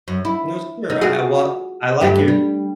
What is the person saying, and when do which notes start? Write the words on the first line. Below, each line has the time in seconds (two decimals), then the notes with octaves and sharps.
No, sure. I I well, I like your
0.08 F#2
0.25 E4
0.90 D#4
1.01 F4 F#4 G#4
2.00 D2 G2 G4
2.28 G3